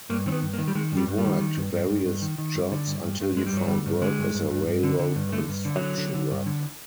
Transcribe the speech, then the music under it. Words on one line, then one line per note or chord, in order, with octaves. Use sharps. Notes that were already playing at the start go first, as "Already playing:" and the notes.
He worked various jobs until he found work as a railroad construction worker.
G2 A#3
D#3 C4
B3
G2
A#3
D#3
G3
D#3 G#3
G2
G3
G2
G3
D#3
D#3
G2
G2
G2
G2
D#3
D#3
G2
D3
G2
G2
G2
G2 G#3
G3
G2 F#3
D3 G3
G2
D3 G#3
G2
G2
G2
G2
D3
D3
G2
D3 A3
G2
D3
D3 F#3
D3
D3
G2
D3